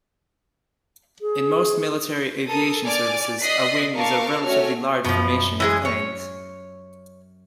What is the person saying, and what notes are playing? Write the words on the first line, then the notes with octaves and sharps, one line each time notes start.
In most military aviation services, a wing is a relatively large formation of planes.
G#4
A4 A#4 D#6
D5 G#5 D6 F6 A6
D5 D#5 D#6 F#6 B6 C7
A#4 F5 A5 C#6 D6
A3 C#4 F#4 C#5 F6
F#2 B2 F3 C#5 D#6
E3 G#3 G#4 G#6
C#5 C#6 F6 G6